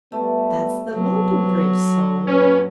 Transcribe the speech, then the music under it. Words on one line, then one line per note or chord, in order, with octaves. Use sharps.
That's the London Bridge song.
G3 A3 B3
C3 F#3 B3
F#2 A#2 C#4 B4